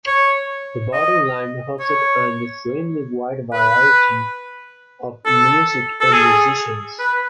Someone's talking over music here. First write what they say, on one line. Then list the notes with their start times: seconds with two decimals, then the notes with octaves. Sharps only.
The Bottom Line hosted an extremely wide variety of music and musicians.
0.07 C#5
0.93 D#5
1.80 C#5
3.53 B4
5.26 A4
6.01 A4
6.13 G#4
6.99 B4